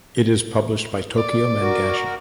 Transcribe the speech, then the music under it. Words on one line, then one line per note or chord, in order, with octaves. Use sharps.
It is published by Tokyo Mangasha.
D5
F#4 A#4